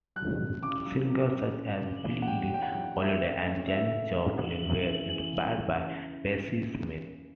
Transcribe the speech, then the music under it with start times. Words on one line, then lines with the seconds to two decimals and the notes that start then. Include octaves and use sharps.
Singers such as Billie Holiday and Janis Joplin were inspired by Bessie Smith.
0.16 F#3 F#6
0.39 C#3
0.63 C#3 D6
0.86 F#3
1.10 F#3
1.33 F#3
1.57 C#4
1.80 C#3
2.04 E2
2.22 F#5
2.27 F#3 G5
2.51 C#4 G5
2.62 F#5
2.74 F#3
2.98 A3 E5
3.21 C#3
3.45 C#4
3.68 A3 E5
3.91 C#3
4.15 C#3
4.39 C#3
4.62 F#2
4.86 E3
5.09 E3
5.33 C#3
5.56 C#3